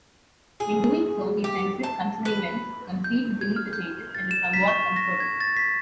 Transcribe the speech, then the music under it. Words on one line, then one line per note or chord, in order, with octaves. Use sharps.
In doing so, he senses continuance concealed beneath the changes, and is somewhat comforted.
G#4
G4
A5
B4
G6
G#6
F6
G6
A6
E7
B6
C#6
A#6
G#6
A6
B6